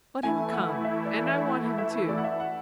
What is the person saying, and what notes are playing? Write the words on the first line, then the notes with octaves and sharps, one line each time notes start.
Let him come, and I want him, too.
E3 A3 E4 G#5
F#5
E5
D5
E5
F#5
E5
D5
F#5
E5
F#5